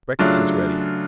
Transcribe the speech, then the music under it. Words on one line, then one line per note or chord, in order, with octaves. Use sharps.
Breakfast is ready.
C#3 F#3 A3 D4 F4